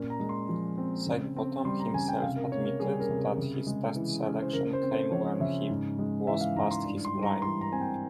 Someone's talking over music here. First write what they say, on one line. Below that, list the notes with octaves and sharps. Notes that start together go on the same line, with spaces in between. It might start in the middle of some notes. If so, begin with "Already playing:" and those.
Sidebottom himself admitted that his Test selection came when he was past his prime.
Already playing: A#2 C#4
A#5
G#3
C6
F3
C4
C#3
C4
G3 C6
A#5
C#3 G#5
G5
C3 F5
A#4
A#3 C#5
A#4
G3 G#4
A#4
C3
G#4
C#3
G#3
E3
C#4
C5
C#3 A#4
C5
C4
C5
F3 C#5
C#3 E5
G#2
G#3
E3 E5
F5
G#2 A#5
C6
G2
C6
G3
A#5
E3 C6
A#5
C4 G#5
G5